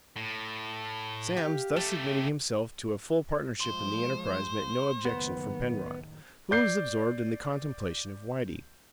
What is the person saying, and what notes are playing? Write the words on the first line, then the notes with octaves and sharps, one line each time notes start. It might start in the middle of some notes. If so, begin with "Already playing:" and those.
Sam's thus admitting himself to a full partnership in the enterprise met no objection from Penrod, who was absorbed in the contemplation of Whitey.
A2
G4 F5
A3 G4 A5
F3 G#3 C5
F#1 A2 D#3 B3
D5 G6 C7